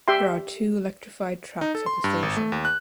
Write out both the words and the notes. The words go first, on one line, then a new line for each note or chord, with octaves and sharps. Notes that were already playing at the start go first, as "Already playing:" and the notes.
There are two electrified tracks at the station.
G4 E5 G5 C6
D#4
A4
C6
G2
G#1
A3
D#2
F#6